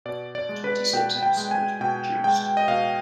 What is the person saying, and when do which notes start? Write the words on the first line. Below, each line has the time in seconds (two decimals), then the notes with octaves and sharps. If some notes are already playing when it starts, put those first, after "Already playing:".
Twenty-six episodes were produced.
0.05 B2 D5
0.35 D5
0.49 G#3
0.64 B4
0.93 B2 G5
1.23 G5
1.37 G#3
1.51 G#5
1.81 B2 G5
2.24 G#3 G5
2.57 D#5
2.68 B2 F5